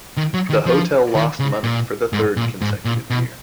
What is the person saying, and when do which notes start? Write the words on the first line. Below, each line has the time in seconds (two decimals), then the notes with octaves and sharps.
The hotel lost money for the third consecutive year.
0.17 D#3
0.34 F#3
0.50 D#3
0.66 F3
1.15 D#3
1.40 C#3
1.64 A#2
2.13 G#2
2.37 A#2
2.61 G#2
2.85 A#2
3.10 B2